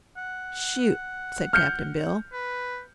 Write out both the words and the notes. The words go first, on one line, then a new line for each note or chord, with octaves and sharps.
"Shoot," said Cap'n Bill.
F#5
F6 G6 C#7
B4